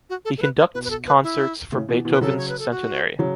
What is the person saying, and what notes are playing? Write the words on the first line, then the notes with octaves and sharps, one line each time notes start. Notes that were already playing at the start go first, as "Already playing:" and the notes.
He conducts concerts for Beethoven’s centenary.
F#4
A4
A4
B4
C#5
B2 B4
B4
A4
B4
E4
A2 C#3
B2 E3
B2 E3
B4
C#3 F#3 A4
C#5
B4
A4
F#4
C#3 F#3